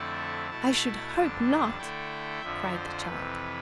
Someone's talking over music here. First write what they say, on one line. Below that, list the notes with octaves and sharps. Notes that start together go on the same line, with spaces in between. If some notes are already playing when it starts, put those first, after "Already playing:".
"I should hope not," cried the child.
Already playing: F2 D3 A3 C4 E4 A5
B2 A3 E4
F2 D3 G3 D4 A5
D3 A3 E4 G5
F2 D3 F3 E5
C5
F2 C3 E3 B4